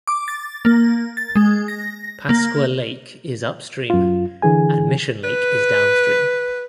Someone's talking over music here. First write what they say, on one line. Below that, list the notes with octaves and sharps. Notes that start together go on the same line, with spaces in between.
Pasqua Lake is upstream and Mission Lake is downstream.
D6
A6
A#3
A6
G#3
A#6
A#3
F#2 F4
D3 E3 G#4 G#5
B4